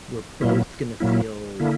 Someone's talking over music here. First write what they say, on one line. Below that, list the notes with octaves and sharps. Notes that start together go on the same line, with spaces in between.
we're both gonna feel
A#2 F#3 A#3 E4
A#2 F#3 A#3 E4
D3 A#3 E4